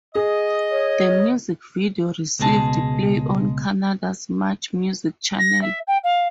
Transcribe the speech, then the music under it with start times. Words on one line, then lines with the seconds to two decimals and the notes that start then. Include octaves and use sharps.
The music video received play on Canada's MuchMusic channel.
0.15 G#4 D#5
0.71 C#5
2.39 C#2 B2 G#3 A5
5.39 A#6
5.61 E5
5.87 G5
6.03 F5